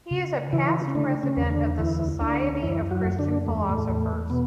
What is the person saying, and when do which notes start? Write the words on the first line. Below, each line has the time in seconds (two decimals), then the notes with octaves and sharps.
He is a past president of the Society of Christian Philosophers.
0.11 C#3
0.53 C#3 E3 E4
0.88 C#4
0.95 D3 A3 D4
1.23 C#3 C#4
1.37 E2
1.50 D3 D4
1.79 D2 E3 E4
2.21 D2 D3 D4
2.47 C#4
2.55 D4
2.62 F#2 E3 E4
2.91 F#3 F#4
3.04 F#2
3.19 D3 D4
3.46 E2 A3
3.58 G#3
3.69 A2 A3
3.89 E2
4.30 B2 B3